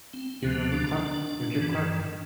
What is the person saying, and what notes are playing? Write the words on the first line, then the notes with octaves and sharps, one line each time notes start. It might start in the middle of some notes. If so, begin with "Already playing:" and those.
D'you remember Clarke, Richard Clarke?
C4
D2 D3 F3 B3
D4
G2 E3